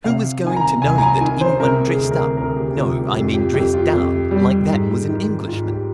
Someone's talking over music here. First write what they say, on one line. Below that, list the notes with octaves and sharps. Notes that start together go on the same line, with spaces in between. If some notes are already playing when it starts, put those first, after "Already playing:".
"Who was going to know that any one dressed up--no, I mean dressed down--like that was an Englishman?"
C3 F5
D#3 G#5
A#5
C2 G#5
A#5
G#5
D#3 G#5
C5
C3 A#4
G#4
D2
A#4
D2 A#4
G4
C3 F4
G4
F2
F4
G4
F2 G4
F4
F2 G4
G3
G#2
D#3
G#2 F4
G4